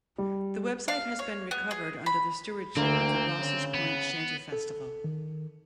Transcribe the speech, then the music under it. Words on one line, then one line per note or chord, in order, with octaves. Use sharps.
The website has been recovered under the stewardship of the Rosses Point Shanty Festival.
G3
F5
C#5
B3
G#4
B5
D2 D3 A#3 C4
C#3
B3
A4
D#3